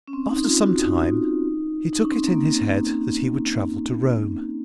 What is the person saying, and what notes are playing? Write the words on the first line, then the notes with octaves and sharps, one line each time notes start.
After some time he took it in his head that he would travel to Rome.
C#4
C4
D#4
F4
F#4
D#4
D#4
C#4
C4
A#3